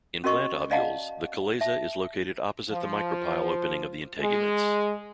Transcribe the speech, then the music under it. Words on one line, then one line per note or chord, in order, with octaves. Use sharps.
In plant ovules, the chalaza is located opposite the micropyle opening of the integuments.
C#4 F#4 A#4 D#5 C#6
D5 D#5 F5 F#5 A5 A#5
E5 A5
F3
G#3